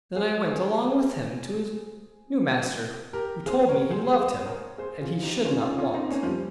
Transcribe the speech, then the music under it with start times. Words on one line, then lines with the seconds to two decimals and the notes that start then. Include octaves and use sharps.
Then I went along with him to his new master who told me he loved him, and he should not want.
0.16 G#4 C5
3.13 G4 A#4
3.46 G#4 C5
3.69 A#4 C#5
3.91 G#4 C5
4.13 G#4 C5
4.46 A#4 C#5
4.78 G#4 C5
5.01 F4 G#4
5.23 D#4 G4
5.45 C#4 F4
5.57 D#4
5.61 C#4 F4
5.78 C#4 F4
5.94 C4 D#4
6.11 A#3 C#4
6.23 F3
6.28 G3